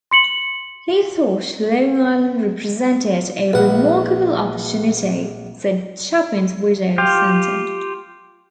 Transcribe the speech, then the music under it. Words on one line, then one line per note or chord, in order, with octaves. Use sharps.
"He thought Long Island represented a remarkable opportunity", said Chapin's widow, Sandy.
C6 C#7 F#7
A#1 B4 F#5
F4 G4